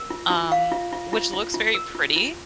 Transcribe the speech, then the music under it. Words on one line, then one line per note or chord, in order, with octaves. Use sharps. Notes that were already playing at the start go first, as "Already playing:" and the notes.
um, which looks very pretty
Already playing: A#4
F4
F4
F5
F4
F4
F4
F4
F4
A#4
F4
F4